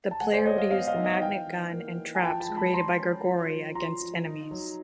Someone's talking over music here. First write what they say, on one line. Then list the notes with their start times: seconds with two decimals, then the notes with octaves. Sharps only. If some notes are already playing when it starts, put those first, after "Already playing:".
The player would use the magnet gun and traps created by Grigori against enemies.
0.11 A5
0.20 G#3 F#5 G#5
0.33 C5 D5
0.45 G#3 C#5 D#5
0.58 D#5 F5
0.71 B3 D#5 F5
0.87 D#5 F5
0.96 D#4 E5
1.04 D#5 F5
1.14 F#5
1.21 E3 F5 G5
1.47 E3
1.72 A#3
1.98 E3
2.15 G#5
2.23 F3 G5 A5
2.40 A5 B5
2.48 G#3
2.56 A5 B5
2.74 F3 A#5 C6
3.00 C#4
3.24 F3
3.50 F3
3.75 F3 A#5 C6
4.01 F3
4.26 D#4
4.51 F#3